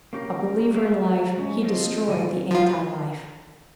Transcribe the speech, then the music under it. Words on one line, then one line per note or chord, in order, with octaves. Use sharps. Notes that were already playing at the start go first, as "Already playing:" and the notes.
A believer in life, he destroyed the anti-life.
A#3 C#4 G4 A4 A#4
G#3 G#4 A#4 E5 F5
A3
G#3 C#4
A#3 C4 F4 A4 C5 D#5
A2 D#3 E3 A4 A#4 G#5
F3 F4